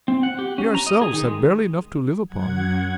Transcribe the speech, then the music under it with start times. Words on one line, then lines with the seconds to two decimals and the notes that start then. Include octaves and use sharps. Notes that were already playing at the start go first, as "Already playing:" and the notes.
We ourselves have barely enough to live upon.
0.08 C4
0.23 F#5
0.39 G4
0.58 C#4
0.75 A#5
0.87 D#5
1.02 G#4
1.13 D#3
1.26 G#3
2.27 F#2 F#5 G#6